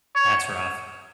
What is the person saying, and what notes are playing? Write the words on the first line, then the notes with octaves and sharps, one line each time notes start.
That's rough.
C#5